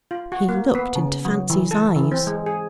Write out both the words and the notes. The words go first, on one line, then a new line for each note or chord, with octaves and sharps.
He looked into Fancy's eyes.
F4
F#4
A#3
B3
C#3
F#3
E3
A4
E3
C4
G#3
G#4